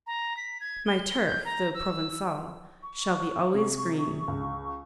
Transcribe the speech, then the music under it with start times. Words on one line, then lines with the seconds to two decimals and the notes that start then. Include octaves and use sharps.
My turf, though Provencal, shall be always green.
0.07 A#5
0.37 B6
0.61 G#6
0.87 G7
1.26 G6
1.45 A#5
1.74 E6
2.83 C#6
3.54 C3 G#4
4.28 C#2